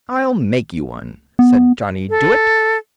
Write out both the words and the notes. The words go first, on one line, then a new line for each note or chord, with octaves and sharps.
"I'll make you one," said Johnny Dooit.
B3
A4